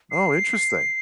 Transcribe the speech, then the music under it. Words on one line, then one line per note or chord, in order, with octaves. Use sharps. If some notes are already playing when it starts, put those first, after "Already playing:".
Oh, interesting.
C7